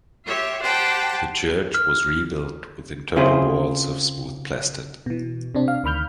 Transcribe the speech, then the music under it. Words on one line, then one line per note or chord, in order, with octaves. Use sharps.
The church was rebuilt with internal walls of smooth plastered.
F4 G4 C#5 E5
G4 C5 D5 F#5 G5 A5
F6
C#3 C4 E4 F4 G#4 C5
B2 E3
C3 C4 D4
F5
D2 D#3 B5 F6 G6